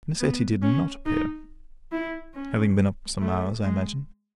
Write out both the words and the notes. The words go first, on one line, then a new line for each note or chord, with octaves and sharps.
Miss Etty did not appear, having been up some hours, I imagine.
B3
C#4
D#4
E4
C#4
A3
G#3